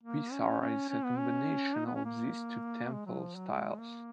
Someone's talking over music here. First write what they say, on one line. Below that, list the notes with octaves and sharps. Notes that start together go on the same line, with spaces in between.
Vesara is a combination of these two temple styles.
A#3
C#4
C#4
C#4
B3
C#4
D#4
B3
C#4
A#3
G#3
F#3
F3
F#3
G#3
A#3